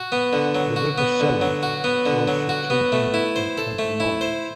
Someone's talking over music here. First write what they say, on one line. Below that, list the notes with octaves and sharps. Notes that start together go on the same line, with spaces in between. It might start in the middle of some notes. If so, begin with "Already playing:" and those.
The river Severn flows for two hundred and twenty miles.
Already playing: F#4
B3
D3
F#3
F#4
B3
D3
F#3
F#4
B3
D3
F#3
F#4
B3
A3
E4
C5
A4
A3
E4
C5